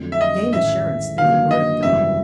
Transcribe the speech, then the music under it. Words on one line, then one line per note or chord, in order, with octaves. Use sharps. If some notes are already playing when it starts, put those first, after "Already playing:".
Gain assurance through the Word of God.
Already playing: F2 D3 F#3 A3 D4
E5
D#5
A1 G#2 D#3 G#3 E5
G1 G2 D#3 F#3 A#3 F5
D#5
G#1 F#2 C#3 E3 G3 E5